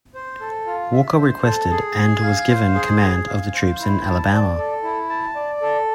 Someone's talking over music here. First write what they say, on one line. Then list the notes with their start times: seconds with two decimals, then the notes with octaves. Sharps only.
Walker requested, and was given, command of the troops in Alabama.
0.15 C5
0.41 A4
0.66 F4
0.93 E5
1.18 C5
1.44 A4
1.71 G#4
1.97 G#5
2.23 F5
2.49 C5
2.75 G#4
3.01 G#5
3.27 F5
3.53 C5
3.79 E4
4.06 A5
4.32 D5
4.57 A4
4.83 E4
5.09 A5
5.35 D5
5.61 A4